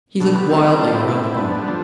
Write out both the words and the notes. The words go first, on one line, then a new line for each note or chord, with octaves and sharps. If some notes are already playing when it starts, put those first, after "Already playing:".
He looked wildly around the barn.
B2 D3
G3 B3
A3 C4
C4 E4
D4 F4
C4 E4
C4 E4
C4 E4
B3 D4
G3
D3 F3